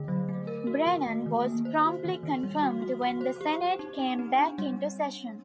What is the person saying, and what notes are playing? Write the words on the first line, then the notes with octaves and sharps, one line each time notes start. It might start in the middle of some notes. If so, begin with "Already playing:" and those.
Brennan was promptly confirmed when the Senate came back into session.
Already playing: D3 A3
F#3
A3
A#4
F#4
D#3
A3
D#3
A#3
C5
F#4
D#3
D#3
G3
F#4
F#4
F#4
C5
G4
G4
D#4
D#4
C4
D4
G3